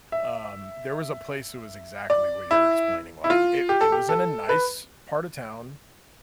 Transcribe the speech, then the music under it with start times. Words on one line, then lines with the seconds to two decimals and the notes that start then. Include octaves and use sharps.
um, there was a place that was exactly where you're explaining, like, it it was in a nice part of town,
0.12 E5
2.10 D5
2.51 E4
3.24 E4
3.30 F4
3.69 G4
3.81 A4
3.92 G4
4.09 A4
4.49 B4